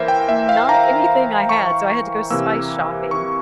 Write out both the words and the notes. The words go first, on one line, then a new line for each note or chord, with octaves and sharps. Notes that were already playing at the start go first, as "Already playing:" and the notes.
not anything I had, so I had to go spice shopping,
Already playing: E3 A#3 A#4 C5 E5
G5
E5
F5
A#5
C#6
C3 E3 A#3 E6
C#6